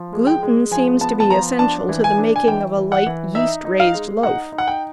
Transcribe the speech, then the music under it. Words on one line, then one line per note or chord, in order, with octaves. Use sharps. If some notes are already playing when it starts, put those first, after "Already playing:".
Gluten seems to be essential to the making of a light, yeast-raised loaf.
Already playing: F3
G#3
G5
G#3
F3 G#5
B3 A5
A5
F3 A#5
D4 A5
E3
G#5
D4
G#5
E3 G5
E3
F#5
E3
D#4 E5
D#4
F5
G#3
D#4 F#5
D#4
F#5
G5